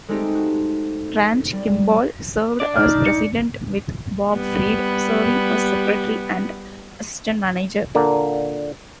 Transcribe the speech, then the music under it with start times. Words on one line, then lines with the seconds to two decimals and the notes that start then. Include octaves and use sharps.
Ranch Kimball served as President with Bob Freed serving as Secretary and Assistant Manager.
0.08 G#3 A3 C4 D#4 G4
0.35 F#4
1.53 G3
2.60 D4 D5
2.76 D#4 F6
3.06 C#7
4.33 G3 B3
7.95 A#2 D3 A#3